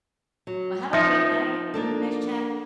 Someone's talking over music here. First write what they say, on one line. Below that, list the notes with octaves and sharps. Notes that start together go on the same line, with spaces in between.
Well, have a great night. Nice chat.
F#3
F3 D#4 E5
A#3 D4 A4